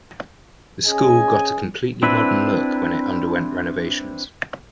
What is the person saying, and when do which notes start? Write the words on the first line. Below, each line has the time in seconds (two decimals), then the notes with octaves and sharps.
The school got a completely modern look when it underwent renovations.
0.86 C#4 G#4 D#5 G#5
2.03 C4 D4 E4 B4